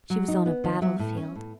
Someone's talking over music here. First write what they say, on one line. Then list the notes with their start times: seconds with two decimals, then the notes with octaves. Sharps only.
She was on a battlefield.
0.10 F#3
0.28 D#4
0.46 B3
0.64 D#3
0.82 F#3 E5
0.99 A2
1.17 C#4
1.35 A2